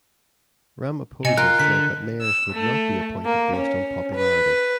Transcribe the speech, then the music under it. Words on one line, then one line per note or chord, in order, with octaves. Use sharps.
Ramaphosa said that mayors would not be appointed based on popularity.
C3 D#5 G#5 C#7
F4 A#4 F#6
D3 B6
E6
A3
A#3
C#4
B4